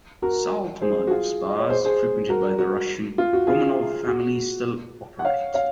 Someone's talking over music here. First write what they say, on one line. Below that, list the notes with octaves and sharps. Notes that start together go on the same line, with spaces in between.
Salt mud spas frequented by the Russian Romanov family still operate.
F#4 A#4
G#4 C5
F#4
F4 G#4
D#5
C#5
G#4 C5
G#4 C5
F#4 A#4
F#4
F4
F#4
F4 G#4
F#4
F#5
C#5 F5
C#5 F5